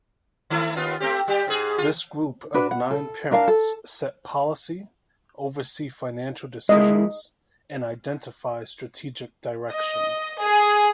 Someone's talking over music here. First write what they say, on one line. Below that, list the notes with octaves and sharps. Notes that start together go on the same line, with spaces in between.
This group of nine parents set policy, oversee financial decisions and identify strategic direction.
D#3 A3 E4
D#2 B3 F4
A3 C4 G4
G3 G4
G#2 G#4
F4
D4 F#4 B4
F#5
A4
D4 A#4 F5 A5
A4
G#3 A#3 E4 D#5
D#5
G#4